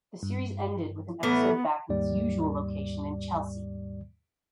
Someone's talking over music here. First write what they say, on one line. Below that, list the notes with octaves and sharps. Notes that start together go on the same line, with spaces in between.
The series ended with an episode back in its usual location in Chelsea.
G2
A2 E3 B3 A#4
D#2 G#2 G3 D5